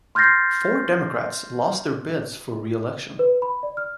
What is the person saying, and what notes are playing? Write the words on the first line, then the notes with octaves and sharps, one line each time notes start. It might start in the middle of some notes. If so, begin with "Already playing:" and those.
Four Democrats lost their bids for reelection.
C6 F6 G6 A6 A#6 C7
B4
B5
D5
F6